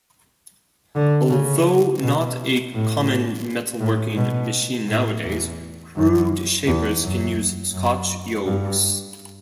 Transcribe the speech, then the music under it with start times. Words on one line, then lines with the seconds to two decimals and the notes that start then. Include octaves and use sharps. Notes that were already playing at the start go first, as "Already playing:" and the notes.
Although not a common metalworking machine nowadays, crude shapers can use Scotch yokes.
0.95 D3
1.30 C#3
2.02 B2
2.74 A2
3.81 A2
4.16 B2
4.88 A2
5.24 E2
5.96 F#2
6.67 E2
7.03 F#2
7.73 F#2
8.45 G2